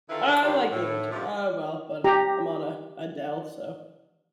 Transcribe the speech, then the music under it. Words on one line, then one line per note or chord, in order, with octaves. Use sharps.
I like gaming too, uh well, but I'm on a a Dell, so
D3 D#3 E4 F4 A4 B4
G#2 D#3 C4 F4 G4
A2
G2 C3 F3
G4 A#5